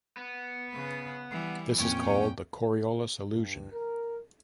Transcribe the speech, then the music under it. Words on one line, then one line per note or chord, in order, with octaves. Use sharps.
This is called the Coriolis illusion.
B3
C#3 B4
E3 G3
F2 A#2 C#4 C#5 G5
G2
A#4